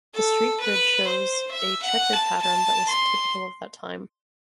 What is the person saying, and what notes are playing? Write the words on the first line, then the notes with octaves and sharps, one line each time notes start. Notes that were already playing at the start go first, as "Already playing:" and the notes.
The street grid shows a chequered pattern that was typical of that time.
A4
B4
C5
E5
F#5
A5
A5
C6